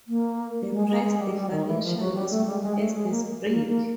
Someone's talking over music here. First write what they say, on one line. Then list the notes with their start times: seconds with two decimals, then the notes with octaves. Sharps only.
This price differential is known as the "spread".
0.08 A#3
0.71 G#3
0.88 G#3
1.04 G#3
1.19 G3
1.35 G3
1.51 D#3
1.67 E3
1.83 F3
1.99 F#3
2.15 G3
2.31 A3
2.46 G3
2.62 G#3
2.78 A3
2.94 G#3
3.10 A#3
3.47 A#3
3.68 A#3